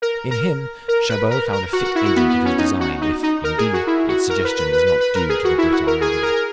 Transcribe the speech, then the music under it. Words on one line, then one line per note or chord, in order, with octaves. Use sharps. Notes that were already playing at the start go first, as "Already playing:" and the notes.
In him Chabot found a fit agent of his design, if, indeed, its suggestion is not due to the Breton navigator.
A#4
A#4
A#4
B4
A#4
A#4
F#4
F#4
E4
F#4
B3
B3
C#4
D#4
F#4
D#4
D#4
A#4
G#4
F#4
E4
F#4
A#4
B4
B4
B4
B4
B4
A#4
G#4
F#4
E4
F#4
A#4
G#4
G#4
A#4